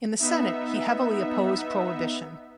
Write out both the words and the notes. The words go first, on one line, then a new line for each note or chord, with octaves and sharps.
In the Senate he heavily opposed Prohibition.
B3 D#4 E5